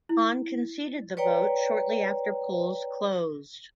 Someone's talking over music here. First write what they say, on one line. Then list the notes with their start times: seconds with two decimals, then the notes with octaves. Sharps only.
Han conceded the vote shortly after polls closed.
0.09 E4
1.17 B4 C#5 D5 G5 A#5